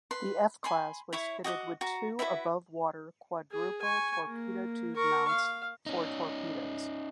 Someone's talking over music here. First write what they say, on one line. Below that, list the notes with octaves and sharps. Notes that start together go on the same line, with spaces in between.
The F class was fitted with two above-water quadruple torpedo tube mounts for torpedoes.
B4 C6
G#5 B5 C6
E4 C#5 B5
F#4 D#5 F#5 D6
F#4 A#5
E4 F#4 B4 E5
G#4
G#5 C#6
A#3
A#4 C#6
F5
C#4 D#4